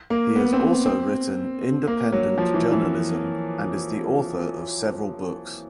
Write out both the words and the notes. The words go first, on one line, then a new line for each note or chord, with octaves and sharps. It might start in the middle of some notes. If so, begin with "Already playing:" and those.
He has also written independent journalism and is the author of several books.
A#3
B3
C4
C4
A#3
F#3
F3
E3
E3